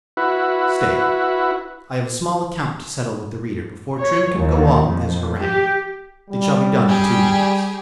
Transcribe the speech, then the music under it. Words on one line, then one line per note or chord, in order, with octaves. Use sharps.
Stay--I have a small account to settle with the reader before Trim can go on with his harangue.--It shall be done in two minutes.
E4 F#4 B4
C#5
D#2
F2
G4
G3
G4 G#4